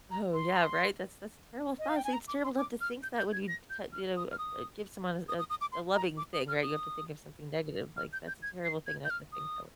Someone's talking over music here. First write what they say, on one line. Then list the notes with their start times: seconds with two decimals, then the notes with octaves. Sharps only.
Oh, yeah, right? That's that's terrible thoughts. It's terrible to have to think that when you t You know, uh, eh, give someone a s a loving thing, right? You have to think of something negative. Like, that's a terrible thing to have to think that way
0.11 A#5
0.33 C6
1.79 D#5
1.88 F5
1.96 G5
2.04 G#5
2.13 A#5
2.28 D6
2.44 C6
2.58 D6
2.81 F6
3.03 G6
3.18 G6
3.33 G#6
3.48 A#6
3.70 G6
3.92 F6
4.16 D#6
4.31 F6
4.38 D#6
5.28 D#6
5.39 D#6
5.50 D#6
5.61 D6
5.72 C6
5.95 A#5
6.17 D6
6.33 D#6
6.48 F6
6.63 D#6
7.97 F6
8.13 G6
8.28 G6
8.42 G#6
8.64 C7
8.87 G#6
9.05 G6
9.10 F6
9.32 D#6